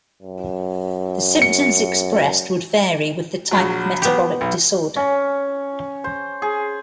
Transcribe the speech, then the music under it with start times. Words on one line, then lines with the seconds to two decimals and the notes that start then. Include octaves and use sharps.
The symptoms expressed would vary with the type of metabolic disorder.
0.23 F#2
1.42 C#7
3.51 A#1 F#3
4.02 B3 G4
4.41 B1
4.96 C#4
6.04 C5
6.42 G#4